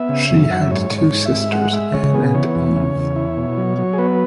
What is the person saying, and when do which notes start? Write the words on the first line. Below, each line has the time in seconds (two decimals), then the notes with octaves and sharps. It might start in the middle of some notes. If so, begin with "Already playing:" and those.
She had two sisters, Ann and Eve.
Already playing: B3 E5
0.09 C#3
0.30 F#2
0.50 F#2 F#5
0.61 E5
0.71 G#2 C#5
0.91 G#2
0.98 C#5
1.12 G#2
1.25 E5
1.32 G#2
1.52 G#3 F#5
1.73 G#3 E5
1.94 C#3 C#5
2.14 B3 G#4
2.35 E3 C#5
2.55 E2
2.75 C#3
2.95 E2
3.16 E4
3.37 B2
3.57 F#3
3.78 F#3
3.93 G#4
3.98 B3 B4